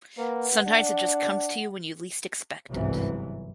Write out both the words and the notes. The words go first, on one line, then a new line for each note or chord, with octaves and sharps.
Sometimes it just comes to you when you least expect it.
A#3 B4 F#5
D4 D5
G1 C2 G#2 C3 E3 F#3